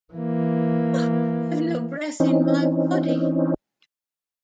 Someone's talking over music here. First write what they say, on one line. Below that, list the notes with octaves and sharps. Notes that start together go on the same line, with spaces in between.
I've no breath in my body!
E3 A#3
E3 C4 C#4 D#4